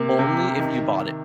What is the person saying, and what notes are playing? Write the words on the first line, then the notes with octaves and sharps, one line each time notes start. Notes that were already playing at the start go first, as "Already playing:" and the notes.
Only if you bought it.
Already playing: C3 A#3
C3
D#3